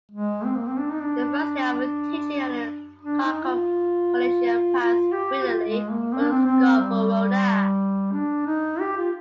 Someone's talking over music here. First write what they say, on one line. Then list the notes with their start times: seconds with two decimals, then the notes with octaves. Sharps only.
The first year of teaching at Kharkov Collegium passed brilliantly for Skovoroda.
0.11 G#3
0.45 C4
0.56 A#3
0.68 C4
0.78 D4
0.90 D#4
1.00 D4
3.02 D4
3.23 D#4
3.45 F4
4.80 F4
5.12 G4
5.45 F4
5.68 G#3
5.91 A#3
6.13 C4
6.21 D4
6.29 C4
6.47 C4
6.79 G3
8.13 D4
8.46 D#4
8.80 G4
8.97 F4